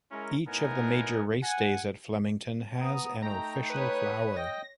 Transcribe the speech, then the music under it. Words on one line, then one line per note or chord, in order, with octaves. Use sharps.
Each of the major racedays at Flemington has an official flower.
G#3 C#4 E4 A#4
A2 B3 D#4 A#4 G#5
F#5 G#5
B3 A#5 D#6
A3 D#4 G5 A#5
B4 C#5 D#6
D#5 G5 A#6